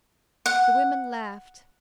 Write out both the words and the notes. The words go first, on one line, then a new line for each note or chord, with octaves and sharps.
The women laughed.
F#5